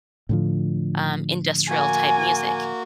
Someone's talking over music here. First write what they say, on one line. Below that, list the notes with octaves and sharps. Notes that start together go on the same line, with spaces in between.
um, industrial type music.
A2 D3 F3
A#3 F#4 G#5